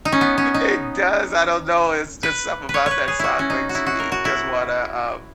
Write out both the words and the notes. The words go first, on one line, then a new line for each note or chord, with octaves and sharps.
It does, I don't know, it's just something about that song, makes me just wanna, um,
D#4
C#4
B3
C#4
D#4
B4
B4
C#5
B4 C#5
G#4
E4 F#4
C#4
D#4
F#4
E4
F#4
A#4
F#4
E4